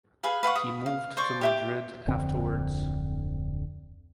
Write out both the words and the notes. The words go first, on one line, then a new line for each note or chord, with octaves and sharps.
He moved to Madrid afterwards.
G#4 B4 F5 B5
B4 F5 F#5 C#6
D#6
F5
C5 D5 C#6
G4 E5 D6
D1 F2 D3 C4